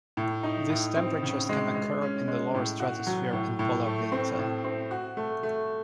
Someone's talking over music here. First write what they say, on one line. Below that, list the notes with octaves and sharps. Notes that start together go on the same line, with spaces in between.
These temperatures can occur in the lower stratosphere in polar winter.
A2
D#4
A2
C4
C#3
G#3
G#3
C#4
G#3
A2
F#4
F#3
A2
A2
A3
C4
A2
C4
F#4
A3
A3